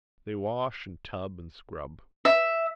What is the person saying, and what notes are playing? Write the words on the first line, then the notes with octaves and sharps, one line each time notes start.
They wash and tub and scrub.
E5